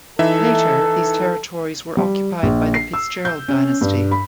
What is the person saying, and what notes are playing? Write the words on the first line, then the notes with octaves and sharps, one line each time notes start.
Later these territories were occupied by the FitzGerald dynasty.
E3 D#4 A4 E5
G3
A#1
C7
E6
G6
C#4
G2
B5